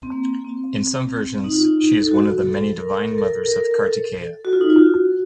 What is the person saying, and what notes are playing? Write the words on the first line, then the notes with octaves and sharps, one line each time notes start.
In some versions, she is one of the many divine mothers of Kartikeya.
C4
A#3
C4
D#4
F4
D#4
D#4
A4
F#4
A4
A#4
A4
A#4
A4
A#4
A#4
A4
F#4
F4
D#4
F4
F#4